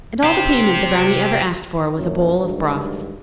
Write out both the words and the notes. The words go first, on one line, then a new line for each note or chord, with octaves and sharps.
And all the payment the brownie ever asked for was a bowl of broth.
G4 C5
F#2 A#2 F3 C#4
G2 D3 D#3 F#3 G#3